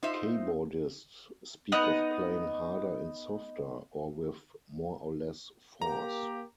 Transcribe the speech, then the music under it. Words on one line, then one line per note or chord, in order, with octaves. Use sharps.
Keyboardists speak of playing harder and softer, or with more or less force.
D#4 F4 C5 D#5 E5
B3 D#4 D#5 F#5
A#3 G4 A#5